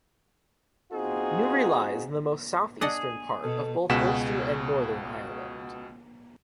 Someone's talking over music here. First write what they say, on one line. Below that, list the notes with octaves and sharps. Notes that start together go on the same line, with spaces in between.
Newry lies in the most south-eastern part of both Ulster and Northern Ireland.
C4 D#4 F4 F#4 G#4
D4 G#4 D#5 F#5
B2 A4
C#2 B2 F#4 G#4 B6 E7